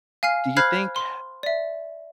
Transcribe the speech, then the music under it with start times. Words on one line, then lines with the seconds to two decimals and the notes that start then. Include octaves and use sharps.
do you think, uh,
0.23 F5 G#5 F6 C7
0.57 C5 B5 F6 F#6 G#6 C7
0.96 C6
1.43 D5 E5